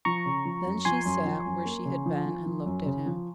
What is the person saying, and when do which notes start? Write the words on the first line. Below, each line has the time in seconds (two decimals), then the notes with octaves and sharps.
Then she sat where she had been, and looked at him.
0.05 F3 A#5 C#6
0.26 C#3
0.45 F3
0.65 F#2
0.85 F3 G#5 C6
1.05 F#2
1.25 F3
1.46 F#2
1.65 A#3
1.85 C#3
2.06 F3
2.26 F3
2.46 F3
2.66 F#2
2.86 C#3
3.06 F3